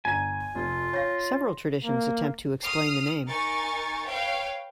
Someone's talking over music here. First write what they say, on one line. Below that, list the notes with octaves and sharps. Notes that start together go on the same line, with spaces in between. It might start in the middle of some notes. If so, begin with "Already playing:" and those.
Several traditions attempt to explain the name.
G1 G#5 A#5 D#7
F1 F4
C#5 F5 C6 A#6
A#3
D#6 F6 C7
D#4 A#4 G#5 C#6 A6
B4 C#5 F5 G5